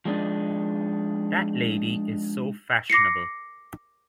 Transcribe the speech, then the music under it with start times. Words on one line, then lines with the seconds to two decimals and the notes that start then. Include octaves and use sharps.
That lady is so fashionable!
0.05 F3 G#3 C4 D4 D#4
2.90 D6 A#6 C7 C#7